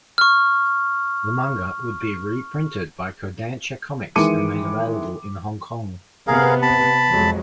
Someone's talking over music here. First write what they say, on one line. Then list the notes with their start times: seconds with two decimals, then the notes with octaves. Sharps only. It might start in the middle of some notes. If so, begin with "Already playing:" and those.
The manga would be reprinted by Kodansha comics, and made available in Hong Kong.
0.18 C#6 F6
4.16 D#3 E3 G#3 D6 C#7 D#7
6.27 C3 B3 G#4 A#4 F5
6.62 A5 B5
7.08 F2 F#3 G#3